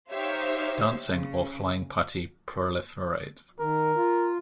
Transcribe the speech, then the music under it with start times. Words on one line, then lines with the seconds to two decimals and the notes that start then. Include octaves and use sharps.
Dancing or flying putti proliferate.
0.10 D#4 G4 C5 C#5 E5 F5
1.10 C#3
3.60 D#3 A#4
3.96 F4